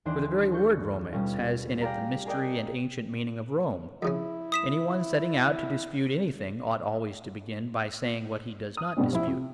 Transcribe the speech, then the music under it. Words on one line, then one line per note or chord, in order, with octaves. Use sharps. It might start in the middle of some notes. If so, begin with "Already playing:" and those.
For the very word "romance" has in it the mystery and ancient meaning of Rome. Any one setting out to dispute anything ought always to begin by saying what he does not dispute.
D#2 E3 D4 C5
A4 C#6 G6
B2 G3 C#4 F4
G4 G#4 D5 F5 A#5
G#4 A#4 D5 D#5 G5
F2 C#3 C#4 E4
D#6 B6 E7
D#6
G2 B2 G3 B3 C4 D4
A#1 E4
C3